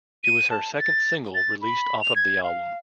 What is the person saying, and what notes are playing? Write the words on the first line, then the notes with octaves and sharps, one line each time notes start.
It was her second single released off of the album.
D#7
A5
A6
A6
B5
F7
G#6
F5